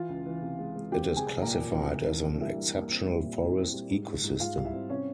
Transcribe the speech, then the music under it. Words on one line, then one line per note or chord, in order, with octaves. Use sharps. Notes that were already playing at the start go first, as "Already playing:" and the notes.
It is classified as an exceptional forest ecosystem.
Already playing: E3 F4 F5
C#2
E3
C3
G#3
G#3
C4 G4 G5
C4
G#4 G#5
C2
A#2 A#3 A#4
A#2
C2
E3
E3
G2
G3 E4 E5
G3
A#3
C4
G3
A#2
E4
C4
G3
G#2
G#2
G#2
G#2 F4 F5
G3
E4 E5
C4
C3 C#4 C#5